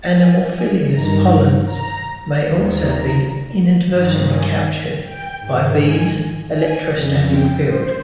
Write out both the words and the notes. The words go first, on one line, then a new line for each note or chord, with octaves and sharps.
Anemophilous pollens may also be inadvertently captured by bees' electrostatic field.
G#5
G#5
G2 D#3 A#5
A#5
D#2 D#3
A#5
G2 D#3
G#5
G5
G#2 D#3
G#5
G#5
F2 C#3
G5
C5